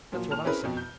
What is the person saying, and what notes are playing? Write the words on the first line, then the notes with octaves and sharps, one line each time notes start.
'That's what I say.
A#2 F3 F#3 A#3
A#2 A5 F6 F7
C4 C#4 E4 G#4 A#4 B4
F2 B2
G6